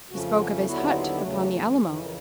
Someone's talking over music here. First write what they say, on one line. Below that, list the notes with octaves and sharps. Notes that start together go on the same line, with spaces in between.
He spoke of his hut upon the Alamo.
F2 C#3 F3 A3 C#4 F#4
F#4
D#2 D3 F#3 B3 E4 F#4
F#4
F4
G4
E2 C#3 F#3 A3 F#4
G4
G#4
F2 C#3 E3 G#4
A#4